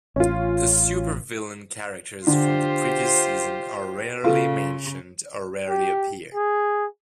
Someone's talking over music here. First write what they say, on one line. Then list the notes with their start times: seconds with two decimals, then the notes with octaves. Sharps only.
The super villain characters from the previous season are rarely mentioned or rarely appear.
0.16 A1 C#4 F4
2.27 D3 F4 G4 C5
4.24 C#3 F4 A4
5.69 G4
6.34 G#4